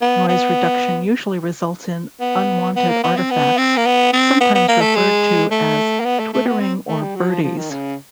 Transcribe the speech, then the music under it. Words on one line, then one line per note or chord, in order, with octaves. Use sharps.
Noise reduction usually results in unwanted artifacts, sometimes referred to as "twittering" or "birdies".
B3
B3
B3
B3
A#3
B3
C4
B3
C4
A#3
B3
C4
B3
B3
A#3
A3
G#3
A3
A#3
B3
A3
A3
B3
C4
A3
G3
F#3
F3
F3
D#3
C#3